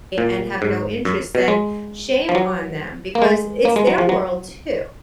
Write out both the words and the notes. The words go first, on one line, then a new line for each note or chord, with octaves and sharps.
and have no interest then, shame on them, because it's their world too.
A#2
G#2
F#2
B2
G#3
F3
F#3
A#3
G#3
A#3
G#3
F#3
F3
F#3